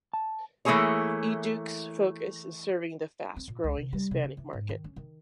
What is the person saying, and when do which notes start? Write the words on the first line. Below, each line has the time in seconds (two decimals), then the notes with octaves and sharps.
EduK's focus is serving the fast-growing Hispanic market.
0.14 A5
0.65 E3 A3 A#3 E4 G#4 C#5
3.36 C4
3.48 A#2
3.64 C#2
3.77 C3
3.93 G3
4.11 C3
4.24 C#3
4.37 E3
4.53 G#2
4.69 D#3
4.84 C#4
4.96 D#3